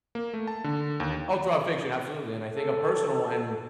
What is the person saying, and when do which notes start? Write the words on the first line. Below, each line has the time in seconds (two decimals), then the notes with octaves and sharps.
All throughout fiction, absolutely. And I think a personal one
0.15 A#3
0.33 A3
0.47 A5
0.64 D3
1.00 D#2
2.49 A4